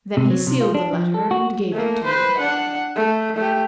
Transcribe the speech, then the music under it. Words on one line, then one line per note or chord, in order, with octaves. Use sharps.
Then he sealed the letter and gave it to me.
C3
F#3
C3
F4
D4
F3
A4
F#4
A3 A#3
B4 C5
D4 F#5
A3
A3 G4